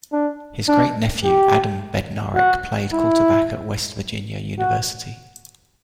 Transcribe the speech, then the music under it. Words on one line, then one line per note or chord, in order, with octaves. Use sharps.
His great-nephew, Adam Bednarik, played quarterback at West Virginia University.
D4
D4
G4
F#4
E4
F#4